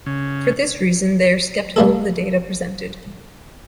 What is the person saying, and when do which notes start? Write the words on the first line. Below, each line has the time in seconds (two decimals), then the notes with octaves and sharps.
For this reason, they are skeptical of the data presented.
0.06 C#3
1.76 G3 A3 A#3 E4 G#4 A4